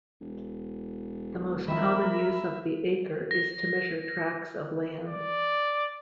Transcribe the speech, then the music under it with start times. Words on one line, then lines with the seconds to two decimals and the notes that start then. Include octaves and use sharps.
The most common use of the acre is to measure tracts of land.
0.21 E1
1.68 D#3 F3 A#4 E5 B5
3.31 A#6
5.07 D5